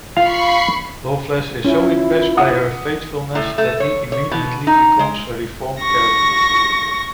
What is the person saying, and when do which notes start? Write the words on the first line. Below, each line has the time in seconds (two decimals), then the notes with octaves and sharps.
Loveless is so impressed by her faithfulness that he immediately becomes a reformed character.
0.17 F4 F5 B5 C#6 C7
1.65 C#4 E4 F4
2.37 F#5 D#6
3.35 A2
3.58 A3
3.80 C#5
4.12 C#5
4.31 B2
4.67 D#4
4.99 G#3
5.81 C#6 A#6